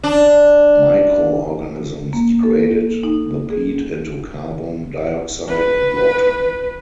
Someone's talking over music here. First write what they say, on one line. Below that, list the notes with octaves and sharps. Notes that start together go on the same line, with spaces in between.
Microorganisms degraded the peat into carbon dioxide and water.
D4
A#3
A4
D#4
G#4
B4